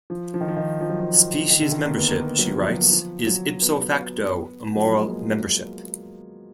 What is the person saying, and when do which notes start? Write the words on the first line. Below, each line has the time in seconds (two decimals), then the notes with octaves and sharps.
Species membership, she writes, is "ipso facto" moral membership.
0.10 F3
0.34 F3
0.41 D#3
0.48 F3
0.57 D#3
0.81 F3
0.90 F#3
1.00 F3
1.50 D#3
1.62 D3
1.72 D#3
1.85 A#3
1.97 B3
2.08 A#3
2.21 A#3
2.39 F#3
2.56 F3
2.69 F#3
2.74 F3
2.91 F3
3.27 F#3
3.62 B3
4.75 F3
4.84 F#3
4.93 G#3
5.02 A#3